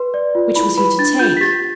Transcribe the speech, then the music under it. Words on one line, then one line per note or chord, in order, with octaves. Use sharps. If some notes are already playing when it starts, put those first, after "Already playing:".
Which was he to take?
Already playing: B4 C6
D5
F4
E4 B5
B4 B5
D4 A6
F4 G6
B6
G4 A6